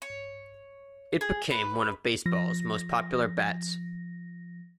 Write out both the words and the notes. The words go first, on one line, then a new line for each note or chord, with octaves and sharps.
It became one of baseball's most popular bats.
C#5
G#4
B4
F3 A#6